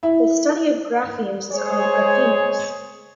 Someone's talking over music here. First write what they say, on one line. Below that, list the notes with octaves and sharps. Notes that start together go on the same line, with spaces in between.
The study of graphemes is called graphemics.
E4
G#3 G#4 C5 C#5